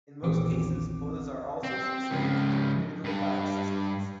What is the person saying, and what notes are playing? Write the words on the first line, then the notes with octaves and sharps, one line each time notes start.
In most cases, quotas are also specific to individual file systems.
A#1 E2 D#3 C4 D6
C4
C#2 F3
G2 B4